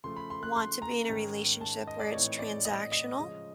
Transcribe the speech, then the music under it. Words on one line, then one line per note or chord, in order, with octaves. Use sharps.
want to be in a relationship where it's transactional.
C#3 F3 A3 C6
B5
C6
F#6
C6
A#5
G#2 D#3 G#3 C#4
A5
D#5
D5
A2 E3 A3 C4 D#4 C#5
D5
D#5
D#5
C#3 F3 G#3 C#4 D#5